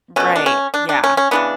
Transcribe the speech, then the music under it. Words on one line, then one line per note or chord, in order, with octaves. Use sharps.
Right, yeah.
B2 A3 C#4
D4
C#4
D4
D4
C#4
C#4
C#3 E3 B3 D4